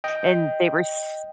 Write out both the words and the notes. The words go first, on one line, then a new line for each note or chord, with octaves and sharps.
and they were s
D#5 G5